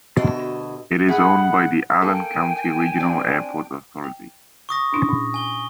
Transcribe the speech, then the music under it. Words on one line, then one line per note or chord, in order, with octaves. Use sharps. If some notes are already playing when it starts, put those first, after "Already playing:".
It is owned by the Allen County Regional Airport Authority.
D2 B2 D#5 E5
A2 E4 G#4 F#5
A#3 A4 G5 G#5
C4 D4
G5
C#6 D#6 A#6
C#4 D4 E4
A#2
G#5 G7